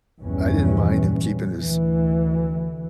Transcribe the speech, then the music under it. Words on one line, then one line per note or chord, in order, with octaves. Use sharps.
I didn't mind him keeping his
A#1 E2 G2 E3 G3 C#4
D2 E3